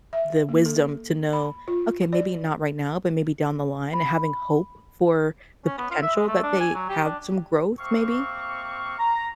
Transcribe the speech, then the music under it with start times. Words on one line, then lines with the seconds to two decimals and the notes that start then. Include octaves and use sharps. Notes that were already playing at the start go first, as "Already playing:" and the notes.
the wisdom to know, "Okay, maybe not right now, but maybe down the line," having hope for the potential that they have some growth, maybe?
0.13 E5
0.49 A#3
0.65 A4
1.33 B5
1.68 F4
2.13 D5
3.93 B5
5.65 C#4
5.78 B3
5.91 F4
6.02 E5
6.16 G#3
6.28 A3
6.43 D4
6.60 G#5
6.75 F#3
6.89 G4
7.04 D4
7.79 C3 A#3 C4 F5 C#6
8.99 A#5